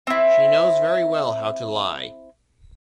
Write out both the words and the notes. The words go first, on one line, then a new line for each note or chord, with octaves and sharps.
She knows very well how to lie.
C4 E4